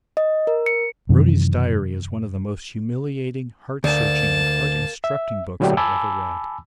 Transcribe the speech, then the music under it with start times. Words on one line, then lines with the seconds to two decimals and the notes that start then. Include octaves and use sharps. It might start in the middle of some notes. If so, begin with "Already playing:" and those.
Brodie's diary is one of the most humiliating, heart-searching, and heart-instructing books I ever read.
0.17 D#5
0.47 A#4
0.66 C#7
1.09 F#2 C3 D#3 E3
3.84 D2 A#3 A5
5.04 E5
5.60 A#2 D3 F#3 A3 D4 G4
5.77 G#5 A5 B5 D6 E6